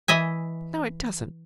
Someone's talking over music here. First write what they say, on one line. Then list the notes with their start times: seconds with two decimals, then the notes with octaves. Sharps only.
'No, it doesn't.
0.08 E3 D#5 E5 G#5